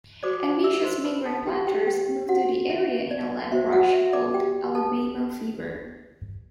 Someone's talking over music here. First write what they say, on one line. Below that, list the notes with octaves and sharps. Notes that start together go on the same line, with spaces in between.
Ambitious migrant planters moved to the area in a land rush called Alabama Fever.
F#4 A4 C5 D5 D6
D5 D6
E5 E6
C5 C6
B4 B5
A4 A5
G4 G5
G4 G5
G4 G5
F#4 F#5
E5
D5
F#4 C5 E5
F#4 F#5
E5
D5 D6
G4 G5
A4 A5